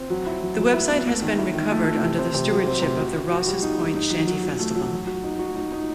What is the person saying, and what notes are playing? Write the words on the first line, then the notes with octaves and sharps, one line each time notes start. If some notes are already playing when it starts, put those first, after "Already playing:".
The website has been recovered under the stewardship of the Rosses Point Shanty Festival.
Already playing: C4
F#3
E4
F#3
F#3
E4
B3
A3
D#3
E4
D#3
A3
A3
C3
C4
C3
F#3
C4
C3
F#4
F#4
F#4
G3
D#4
G3
D#4
F#3
F#3
F#3
A3
F#3
F#3
F#4
D#4
F#4
D#4
D#4